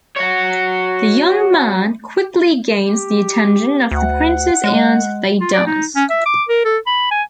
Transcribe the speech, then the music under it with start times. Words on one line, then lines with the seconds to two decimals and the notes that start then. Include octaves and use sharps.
The young man quickly gains the attention of the Princess and they dance.
0.17 F#4 C#5
2.77 G4
3.91 D2 F#5
4.64 G#3
5.40 F4
5.53 D5
5.67 D#4
5.96 C#4
6.10 E5
6.26 D6
6.49 A#4
6.65 A4
6.87 B5
7.11 G#5